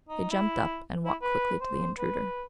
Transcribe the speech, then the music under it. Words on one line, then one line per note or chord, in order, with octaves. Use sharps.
He jumped up and walked quickly to the intruder.
D#4
E4
E4
B4
C5
B4